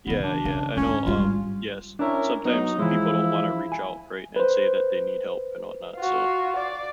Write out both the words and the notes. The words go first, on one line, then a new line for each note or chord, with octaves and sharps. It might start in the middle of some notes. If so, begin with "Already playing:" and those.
Yeah, yeah, I know, um Yes, sometimes people don't want to reach out, right, and say that they need help and whatnot, so
C#3 E3 B3
D4
C#3
D2 G#2 C#4
G#1 G3 F4
C#4 D4 E4 A#4
F#3 B3 D#4
E3 F3 G#3 E4
G#5
B4 C5
F4 F#4
D5